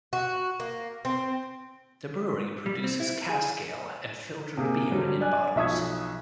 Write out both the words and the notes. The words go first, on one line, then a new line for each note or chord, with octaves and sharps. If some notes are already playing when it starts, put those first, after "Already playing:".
The brewery produces cask ale and filtered beer in bottles.
F#4
A#3
C4
G3
C4
E4
G#4
C3 A#3 G#4
D3 F#3 G3
D5 G#5 F#6
B1 F3 E5 C#6 D#6 G#6